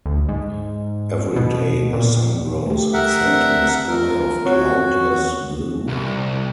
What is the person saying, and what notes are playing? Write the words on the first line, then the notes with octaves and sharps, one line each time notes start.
Every day the sun rose and set in a sky of cloudless blue.
D2
G#2
B2
A#2
A3 G4
A#4 E5 F#5
C4 D4
F4 A#4
C4 F#4 C#5
C2